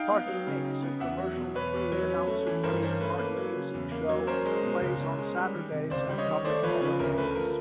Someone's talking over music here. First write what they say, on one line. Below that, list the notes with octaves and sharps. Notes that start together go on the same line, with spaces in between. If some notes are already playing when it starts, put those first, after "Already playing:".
Party Mix, a commercial-free, announcer-free party music show, plays on Saturdays and public holidays.
Already playing: D#4 F5 G5
B3
F#3
C#3
D#4
B3
E2 E5 F#5
F#3
B2
E2 B4 C#5
E2
F#3
C#4
A3
E3
G2 A#4 C5
C#4 A#4 C5
A3 B4
A#3 B4
F#3
C#3
E2
A#3
F#3
C#4 A#4 C5
G#3
B2
C#2
C#4
G#3
G3
D#3
C3
C#2 C5 D5
G3
C#5 D#5
D#3
A3 C5 D5
F3 B4 C#5
C#3 B4
D2 A#4
A3 B4
F3 A#4